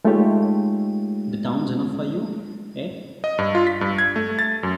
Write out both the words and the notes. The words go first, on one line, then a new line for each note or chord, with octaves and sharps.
The town's enough for you, eh?
G#3 A3 D#4 F4 G4 C#5
D#5
G2
F4
B6
G2
G#6
A3
A6
F#2